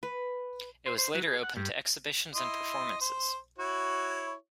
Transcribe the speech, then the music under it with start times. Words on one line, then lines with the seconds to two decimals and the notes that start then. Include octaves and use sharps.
It was later opened to exhibitions and performances.
0.03 B4
0.86 C5
0.98 C5
1.15 F#3
1.27 G#4
1.43 F#5
1.57 G2
2.35 E4 D#5 C6
3.01 C5
3.58 E4 F#4 C#5